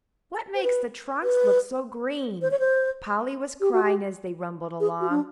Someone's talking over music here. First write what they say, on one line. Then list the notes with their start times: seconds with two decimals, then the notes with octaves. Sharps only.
"What makes the trunks look so green?" Polly was crying as they rumbled along.
0.55 C5
0.63 B4
1.23 B4
2.42 C5
2.51 C#5
2.60 C5
3.61 G4
3.73 F#4
3.83 G4
4.80 G#4
5.00 F#4
5.10 D4